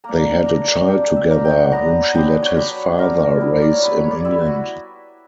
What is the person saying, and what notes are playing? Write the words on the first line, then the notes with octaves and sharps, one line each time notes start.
They had a child together whom she let his father raise in England.
A#3 D4 A#5
A#3 D4 A#5
A#3 D4 G5
E5
A#3 D4 A#5
G5
F#5
F#3 B3 D4 A#5
F#5
F#3 B3 D4 G5
C#5
F#3 B3 D4 B4
F#3 B3 D4 A#4
G3 B3 E4
D5
C#5
G3 B3 E4 B4
C#5
D5
G3 B3 E4 E5
F#4